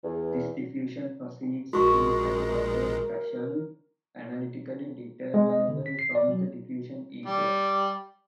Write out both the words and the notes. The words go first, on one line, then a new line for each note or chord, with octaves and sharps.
This diffusion proceeds in an ordered fashion, analytically determinable from the diffusion equation.
E2
A#1 G#3 F#4 A#4 C#6
G#3
D#5
D3
B6
C7
D5
F#3
G3